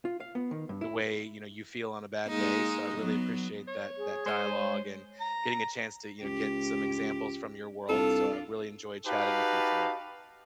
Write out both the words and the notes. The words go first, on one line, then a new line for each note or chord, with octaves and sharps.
the way, you know, you feel on a bad day, so I really appreciate that that dialogue and getting a chance to, you know, get some examples from your world, so I've really enjoyed chatting with you today.
F4
F5
B3
D#3
G2
E4
G#3 A#3 D#4
F#3 B3
C#5
G#4
G#3 C5 C#5 D#7
A#5
C#2 G4
C2 D4 F4 A4
D#4 F#4 G4 B4 F5 A5